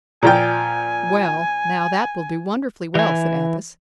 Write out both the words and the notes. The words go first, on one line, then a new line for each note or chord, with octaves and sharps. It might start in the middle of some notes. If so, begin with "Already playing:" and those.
"Well, now that will do wonderfully well," said Athos.
A#2 F3 G5 G#5
E3 G#5